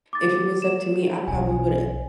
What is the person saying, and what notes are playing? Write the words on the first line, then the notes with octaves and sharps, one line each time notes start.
if it was up to me, I probably woulda
D6 A6
E7
B1 C#4 G#5